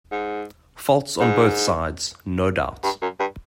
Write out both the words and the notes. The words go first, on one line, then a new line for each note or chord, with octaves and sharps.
Faults on both sides, no doubt.
G#2
G#2
G2
F#2
G2